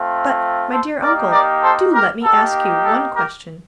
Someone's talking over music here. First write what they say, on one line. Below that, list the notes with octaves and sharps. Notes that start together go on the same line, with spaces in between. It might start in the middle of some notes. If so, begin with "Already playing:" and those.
"But, my dear uncle, do let me ask you one question."
Already playing: A3 C4 F4
A4 C5
A#3 D#4 G4 A#4 D5
A#4 D5
A4 C5
G4 A#4
A#3 D#4 G4 A4
A4
G4 A#4